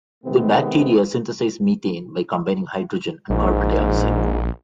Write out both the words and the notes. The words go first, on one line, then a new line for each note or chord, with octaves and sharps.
The bacteria synthesize methane by combining hydrogen and carbon dioxide.
C3 D#3 G#3 A3 B3 C4
A#1 G#2